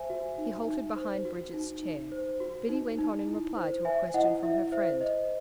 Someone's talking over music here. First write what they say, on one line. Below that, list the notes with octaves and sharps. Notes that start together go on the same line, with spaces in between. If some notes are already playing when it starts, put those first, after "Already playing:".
He halted behind Bridget's chair. Biddy went on in reply to a question from her friend.
Already playing: C5 E5 G#5
F#4
D#4
D#4
C5
F#4
D#4
D#4
C5
F#4
D#4
D#4
E4
C5
C5 E5 G#5
E4 D#5 F#5
E4 E5
C5 E5
C5 D#5